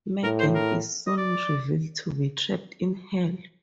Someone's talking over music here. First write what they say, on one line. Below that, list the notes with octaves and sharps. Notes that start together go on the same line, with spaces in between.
Meggan is soon revealed to be trapped in Hell.
A2 A#4
C5
A#4
D#5
D5